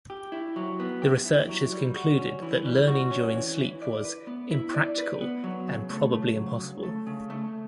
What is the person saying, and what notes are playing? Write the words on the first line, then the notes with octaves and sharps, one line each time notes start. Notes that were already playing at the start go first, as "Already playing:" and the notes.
The researchers concluded that learning during sleep was "impractical and probably impossible".
G4
E4
F#3
B3
G4
E4
F#3
G3
F#4
C#4
E3
G3
F#4
C#4
E3
E4
D5
B4
B3
E4
D5
B4
B3
F#3
C#3
A3
C#3
F#3
C#3
A3
C#3
A3